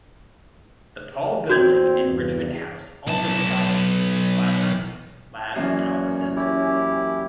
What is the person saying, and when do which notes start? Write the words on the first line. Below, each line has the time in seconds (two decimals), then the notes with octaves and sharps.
The Paul Building and Richmond House also provide space for classrooms, labs and offices.
1.50 E2 A#2 C4 F#4 G6 G#6
2.05 E2 G2
3.07 B1 A5
5.55 F#2 A#2 E3 C#4
6.36 E4 G4